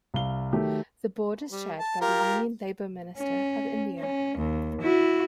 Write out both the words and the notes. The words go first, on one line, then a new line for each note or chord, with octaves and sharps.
The board is chaired by the Union Labour Minister of India.
C2 F5 G7
D#3 F#3 A3 G4
G3
A5
F4 G4 A#4
C#4
C#4
D#2
E4 F#4